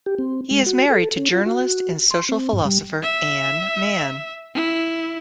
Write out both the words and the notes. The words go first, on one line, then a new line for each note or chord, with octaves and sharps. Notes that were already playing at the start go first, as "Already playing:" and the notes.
He is married to journalist and social philosopher Anne Manne.
G4
C4
G#3
F#4
A4
C#4
F4
F#4
C6
C4
G#2
G3
E5
E4